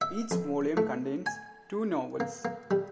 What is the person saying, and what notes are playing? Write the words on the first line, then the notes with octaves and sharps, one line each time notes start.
Each volume contains two novels.
E5
F2
A3
G#5
A#3
A#3
G3